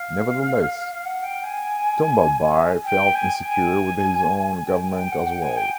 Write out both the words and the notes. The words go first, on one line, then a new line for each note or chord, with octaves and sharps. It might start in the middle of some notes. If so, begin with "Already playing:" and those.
Nevertheless, Tombalbaye felt insecure with his own government as well.
Already playing: F5
F5
F#5
G5
G#5
G5
G#5
G#5
G5
G#5
G5
F#5
G5
G#5
G5